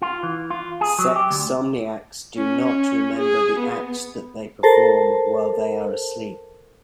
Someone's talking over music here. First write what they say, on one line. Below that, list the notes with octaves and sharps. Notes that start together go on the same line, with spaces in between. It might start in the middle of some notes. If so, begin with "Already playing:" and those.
Sexsomniacs do not remember the acts that they perform while they are asleep.
F4
E3
F4
G#4
F#3
G4
D2
C#4
C#4
G#4
B3
A4 A#4 C5 A5